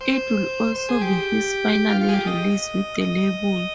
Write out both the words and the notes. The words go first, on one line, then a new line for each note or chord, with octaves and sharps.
It would also be his final release with the label.
C5
C5
G#4
G4
F4
F4
G#4
G4
D#5
D#5